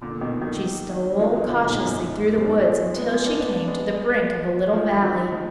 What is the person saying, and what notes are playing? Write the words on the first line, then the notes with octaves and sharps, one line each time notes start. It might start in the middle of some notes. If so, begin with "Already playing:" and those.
She stole cautiously through the woods until she came to the brink of a little valley.
A#2 D3
B2 D#3
D#3 F#3
F3 G#3
D#3 F#3
A#2 D3
G#2 B2
F#2 A#2
G#2 B2
A#3
F3 G#3
G#3 B3
A#3
G#3 B3
A#3 D4
B3
D4
G#3 B3
F3 G#3
F3
D#3 F#3
F3 G#3